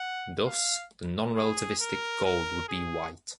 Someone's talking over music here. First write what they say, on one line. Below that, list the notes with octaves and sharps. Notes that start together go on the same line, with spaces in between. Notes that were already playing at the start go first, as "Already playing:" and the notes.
Thus, the non-relativistic gold would be white.
Already playing: F#5
F5
G#4
A#4
A#4
G#4